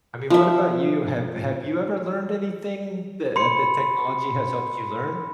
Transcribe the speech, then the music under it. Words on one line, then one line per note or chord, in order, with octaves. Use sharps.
I mean, what about you? Have have you ever learned anything that, uh that technology has helped you learn?
F3 E5
B5 C6 C#7